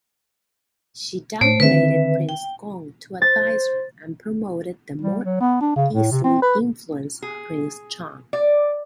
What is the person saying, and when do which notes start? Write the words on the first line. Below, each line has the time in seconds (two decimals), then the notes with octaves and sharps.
She downgraded Prince Gong to "advisor" and promoted the more easily influenced Prince Chun.
1.41 A2 A3 C5 C#5
1.60 D3 D#3 C4 B4 E5
2.29 G5
3.22 C5 A6
5.01 G3
5.24 F#3
5.40 B3
5.61 D4
5.76 C#3
5.93 A2
6.11 C3
6.24 C4
6.42 B4
7.22 G#4
8.33 D5